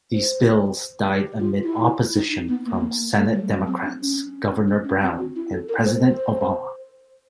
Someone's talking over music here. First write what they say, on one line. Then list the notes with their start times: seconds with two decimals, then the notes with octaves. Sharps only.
These bills died amid opposition from Senate Democrats, Governor Brown, and President Obama.
0.13 C5
1.14 G4
1.40 F4
1.64 E4
2.15 D#4
2.48 B3
2.66 A#3
3.16 A3
3.33 G3
3.50 F#3
3.67 C4
3.83 D4
4.00 C#4
4.67 D4
4.84 C#4
5.02 C4
5.19 F#4
5.36 E4
5.52 A4
5.69 A#4
5.85 C5
6.03 C5